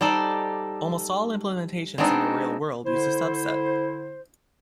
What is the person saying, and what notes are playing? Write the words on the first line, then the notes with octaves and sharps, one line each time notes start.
Almost all implementations in the real world use a subset.
G3 D#4 A4 C5 D5
G#3 B3 C4 D4 D#4
D3 E4 C5